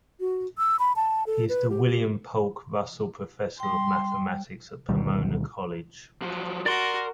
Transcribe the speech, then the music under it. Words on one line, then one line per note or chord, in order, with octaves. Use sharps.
He is the William Polk Russell Professor of Mathematics at Pomona College.
F#4
E6
B5
A5
A4
B4
G4
G3 G5 C6
D2 B2 D#3 G3
F3 F#3
F#4 A#4 D5 C6